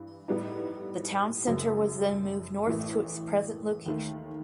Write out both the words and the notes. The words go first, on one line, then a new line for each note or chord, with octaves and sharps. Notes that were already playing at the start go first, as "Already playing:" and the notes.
The town center was then moved north to its present location.
Already playing: G2 E3
A2 G3 B3 D#4
F#1 F#2 F#3
A1 A2 E3 A3
D#2 D#3 A3